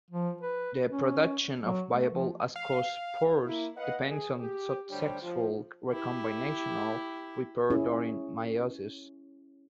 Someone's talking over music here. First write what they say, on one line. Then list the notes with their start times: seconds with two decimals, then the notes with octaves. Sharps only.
The production of viable ascospores depends on successful recombinational repair during meiosis.
0.10 F3
0.41 B4
0.89 C#4
1.61 F#3
1.92 A3
2.12 F3
2.56 F5
3.46 A#3 E4
3.77 B4 D#5 F5 F#5
4.09 G#4
4.39 G4
4.90 D2 G3 D4 C5 C#5 G5
5.22 F3
5.92 E4 G4
7.70 C#4 E4 G#4